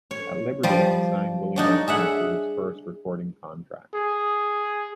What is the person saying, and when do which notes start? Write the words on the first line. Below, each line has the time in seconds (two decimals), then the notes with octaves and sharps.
At Liberty he signed Willie Nelson to his first recording contract.
0.11 C#5
0.63 F3 G3
1.56 F#3 D4 D#4
1.88 G#4 E5 F#5
3.94 G#4